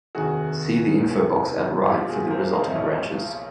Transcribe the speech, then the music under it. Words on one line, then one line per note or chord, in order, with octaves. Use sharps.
See the infobox at right for the resulting branches.
F1 D#2 D#3 F#4 G#4
F1 D#2 D#3
B1 A#2 F3 F4 G4
F#4 G#4
A#4 C5
D#5 F5
E5
B1 A#2 F3 C#5 D#5